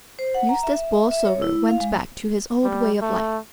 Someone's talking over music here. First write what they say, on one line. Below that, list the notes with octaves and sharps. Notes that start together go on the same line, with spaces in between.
Eustace Borlsover went back to his old way of life.
C5
F#5
A#5
E5
E5
C#5
E4
F5
G#3
G3
A3